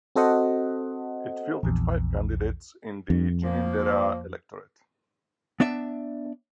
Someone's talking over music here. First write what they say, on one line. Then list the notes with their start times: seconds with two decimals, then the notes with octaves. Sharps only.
It fielded five candidates in the Ginninderra electorate.
0.16 C4 F#4 A4 C5 D#5 F#5
1.63 A#1 E2
3.10 F2
3.44 F3 A#3
5.60 B3 D4 D5 E5